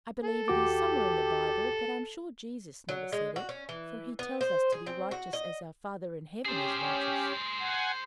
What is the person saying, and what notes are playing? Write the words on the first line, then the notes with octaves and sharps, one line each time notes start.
"I believe it is somewhere in the Bible, but I am sure Jesus never said it, for he tells us to be righteous as our Father in heaven is righteous."
A4
D#2 F#4 G4 D6
F#3
G#3
F#4
C#4
E3
B3
C5
G#4
C4
F#4
D#5
C#4 G4 G#4 C5
F#5 G#5